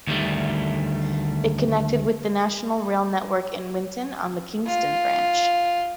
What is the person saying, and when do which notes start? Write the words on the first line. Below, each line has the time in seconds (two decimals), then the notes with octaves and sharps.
It connected with the national rail network in Winton on the Kingston Branch.
0.07 D2 D#3 G3 A3
4.66 F4